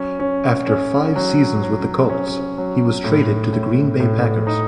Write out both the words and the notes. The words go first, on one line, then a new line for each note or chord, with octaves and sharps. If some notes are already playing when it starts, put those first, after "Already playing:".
After five seasons with the Colts, he was traded to the Green Bay Packers.
Already playing: F#3 C#4
C#4
C#4
F#3
F#3
C#4
F#3
A2
A2
A2
D#4